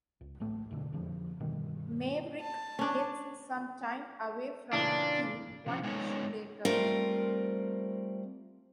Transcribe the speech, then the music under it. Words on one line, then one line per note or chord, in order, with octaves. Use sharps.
Maverick gets some time away from the team one issue later.
C#2
D1 A1 A2 A3
F#1 E2 B2 D3
E1 F2 D3 F3
G2 B2 D#3 G3
A5
C#4 D4
A#2 C#3 E3 D4
C3 F3 C#4
G#3 B3 D#4 G4 A4 C#5
G3 A3 C4 F4 A#4 C5